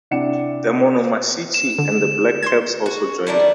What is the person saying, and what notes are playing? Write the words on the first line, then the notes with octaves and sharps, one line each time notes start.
The Monomashichi and the Black Caps also joined him.
C3 D4 E4 F#5 C#7 E7
E7
D3
C6 G#6
F#4
D#3 G3 D4 E4